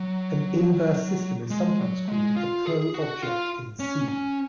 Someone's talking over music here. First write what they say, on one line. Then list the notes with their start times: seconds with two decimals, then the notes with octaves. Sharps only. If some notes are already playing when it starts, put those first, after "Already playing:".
An inverse system is sometimes called a "pro-object" in "C".
Already playing: F#3
1.50 G#3
1.79 F#3
2.08 G#3
2.37 F4
2.65 G#4
2.94 F#4
3.22 F4
3.80 C#4
4.09 C#4